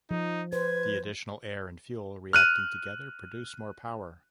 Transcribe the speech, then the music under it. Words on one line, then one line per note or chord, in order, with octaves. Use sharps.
The additional air and fuel reacting together produce more power.
F3 D#4
B4 C5 G#6
F6 F#6 D#7